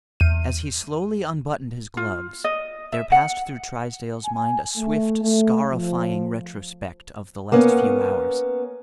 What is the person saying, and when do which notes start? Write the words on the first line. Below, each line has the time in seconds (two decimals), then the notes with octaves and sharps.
As he slowly unbuttoned his gloves, there passed through Trysdale's mind a swift, scarifying retrospect of the last few hours.
0.20 E2 D#7
1.97 F4
2.44 D#5
2.92 E5
3.12 F#5
4.26 G#5
4.77 A3
5.24 A3
5.72 F3
7.52 A#3 B3 C#4